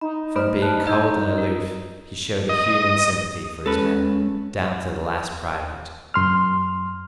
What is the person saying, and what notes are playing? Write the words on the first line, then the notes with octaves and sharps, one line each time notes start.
From being cold and aloof, he showed a human sympathy for his men, down to the last private.
D#4 B5
A3 C5 B5
A5 F#6
D#4 D#5 E6 G6
A#4
D#5
G#3 C#4 A4 B4
F#2 C6 F6